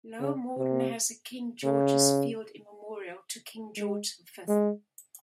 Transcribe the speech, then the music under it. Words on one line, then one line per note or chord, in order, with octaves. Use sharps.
Lower Morden has a King George's Field in memorial to King George the Fifth.
C#3
C3
C#3
G#3
G#3